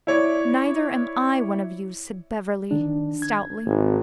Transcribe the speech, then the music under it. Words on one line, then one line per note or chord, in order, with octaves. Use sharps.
"Neither am I one of you," said Beverly stoutly.
E4 C#5 D5
D#3 D4
G#6
G#1